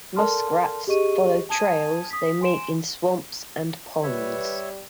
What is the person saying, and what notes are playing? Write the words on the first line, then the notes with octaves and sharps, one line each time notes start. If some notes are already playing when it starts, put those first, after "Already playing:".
Muskrats follow trails they make in swamps and ponds.
A4 A#4 D5 A5 C6 F6
G4 G#4 D#5 C#6 D#7
G#5 A5 D#6 G#6 D#7
D#6 B6
G#5 C6 D7 E7
G3 B4 C#5 E5